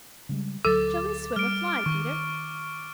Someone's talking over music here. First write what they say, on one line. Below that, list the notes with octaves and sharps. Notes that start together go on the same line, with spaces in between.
"Shall we swim or fly, Peter?"
C#3 G3 G#3
D2 F#3 A4 D6 A6
G3 F6 D7
D#3 C#6